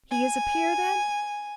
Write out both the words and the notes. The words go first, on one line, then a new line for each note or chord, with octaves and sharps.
"He is a peer, then?"
G#5